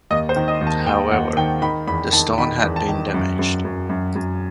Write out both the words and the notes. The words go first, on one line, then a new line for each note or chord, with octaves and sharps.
However, the stone had been damaged.
D#2 D#5
C5
D#3
D#5
D#2
A5
D#2 G5
D#2 F#5
D#3 G5
D#3 B5
E2 B5
D#3 A5
D#3 B5
E2
A5
D#3
F#2
F#2
F#2
F#2
F#2